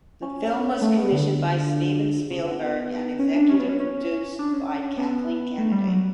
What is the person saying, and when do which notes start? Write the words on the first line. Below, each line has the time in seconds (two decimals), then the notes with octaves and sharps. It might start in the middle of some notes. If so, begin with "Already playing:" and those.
The film was commissioned by Steven Spielberg and executive produced by Kathleen Kennedy.
0.22 C#4
0.82 A3
0.97 B3
1.12 D3
2.31 C#3
2.46 B3
3.19 C#4
3.35 D4
3.49 C#4
3.59 B3
3.69 C#4
3.80 C#4
4.39 D4
4.53 C#4
4.97 B3
5.58 A3
5.72 G3
5.88 F#3